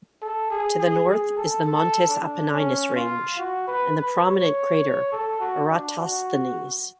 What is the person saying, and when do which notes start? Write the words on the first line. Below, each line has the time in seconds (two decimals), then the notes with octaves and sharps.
To the north is the Montes Apenninus range and the prominent crater Eratosthenes.
0.22 A4
0.51 G#4
0.79 G#4
1.09 G#4
1.37 A4
1.66 A4
2.09 D4
2.52 C#4
2.96 F4
3.39 F#4
3.67 B4
3.96 B4
4.25 C#5
5.12 A4
5.40 F#4
5.69 D4
5.98 F#4